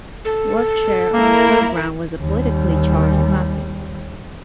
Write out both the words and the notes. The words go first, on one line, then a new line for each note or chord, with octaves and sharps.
Workshare on the programme was a politically charged matter.
A4
A#3 E4 A#4
D#2 G3